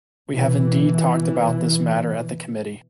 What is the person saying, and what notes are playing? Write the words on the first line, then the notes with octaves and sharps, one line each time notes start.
We have indeed talked about this matter at the committee.
B2 E3